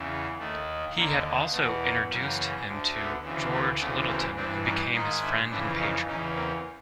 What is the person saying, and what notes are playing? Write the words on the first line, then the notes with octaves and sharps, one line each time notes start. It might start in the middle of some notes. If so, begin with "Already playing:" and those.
He had also introduced him to George Lyttelton, who became his friend and patron.
Already playing: E2 C#3 E3
D#2 D#3 A3
D#2 D3 A#3
E2 B2 A3 B3
A#3
F#2 C#3 E3 A#3
D2 D3
A3 B3
D2 C#3 E3
A3 B3
D2 C#3 E3 A3 B3
A#3 C4
G2 E3 C4 D4
C#4 D#4
G#2 D#3 D#4 F4
D4 E4
F2 C#3 E3 D4 E4
C#4 D#4
E2 C#3 E3 C#4 D#4
A#3 C4